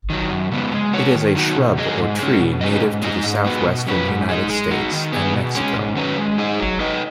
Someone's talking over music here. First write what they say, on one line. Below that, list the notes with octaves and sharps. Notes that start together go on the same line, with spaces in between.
It is a shrub or tree native to the southwestern United States and Mexico.
D#3 F#3
F#2
C#3 G#3 B3
G#3
B3 F#4 C#5
D#3
F#3 D#4 F#4
B2
F#3 D#4 G#4 D#5
G#2
G#3 C#4
B2
F#3 C#4 B4 D#5
G#2
G#3 D#4 B4 D#5
G#2
G#3 B3 F#4 B4
B2
F#3 C#4 B4
G#2
G#3 D#4
G#3
D#4 F#4
D#3
B3 G#4
B2
G#3 C#4
G#2
D#3 F#3 C#4 B4
G#3
D#4 G#4 D#5
F#3
D#4 B4 D#5